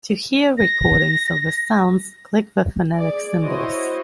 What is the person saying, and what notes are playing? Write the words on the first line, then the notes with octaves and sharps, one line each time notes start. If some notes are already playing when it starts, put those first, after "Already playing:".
To hear recordings of the sounds, click the phonetic symbols.
A#6
G#4 D5
E4 F#4 C5 C#5 D#5